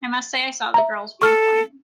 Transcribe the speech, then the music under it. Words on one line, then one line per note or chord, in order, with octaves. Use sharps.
I must say I saw the girl's viewpoint.
E5 A#5
A4 C#6 F6